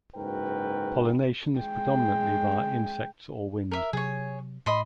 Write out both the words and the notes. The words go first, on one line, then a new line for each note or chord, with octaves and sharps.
Pollination is predominately via insects or wind.
F#1 G#2 F#4 A#4 B4 G5
G#3 G5
A#4 E5
C3 F#3 G#4 C#5
A2 D#5 B5 C6